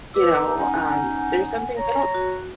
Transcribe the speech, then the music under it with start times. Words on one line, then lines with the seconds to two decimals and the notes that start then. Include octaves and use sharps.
You know, um, there's some things they don't
0.14 B4 D6 E6
0.35 D#4
0.58 C#4 D#4 F#5 G#5
1.77 C#5 A#5
2.15 F#4